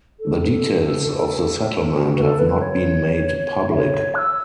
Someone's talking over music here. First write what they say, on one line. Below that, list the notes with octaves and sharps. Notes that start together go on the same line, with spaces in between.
The details of the settlement have not been made public.
A4
F#4
B4
A4
B4
C#5
E5
C#5
F#6
E6